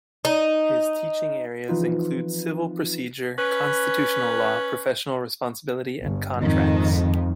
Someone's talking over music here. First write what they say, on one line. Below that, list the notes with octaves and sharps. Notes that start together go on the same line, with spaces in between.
His teaching areas include civil procedure, constitutional law, professional responsibility, and contracts.
D#4
E3 F3 C4 D#4 F4 B4
C#4 B4
G1
F2 G#2 D#3